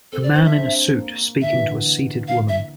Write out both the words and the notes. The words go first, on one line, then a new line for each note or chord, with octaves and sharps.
A man in a suit speaking to a seated woman.
C4 A4
D5
D4 C5
E5
C4
A#3
D3 E5
E3
D3
F5
E5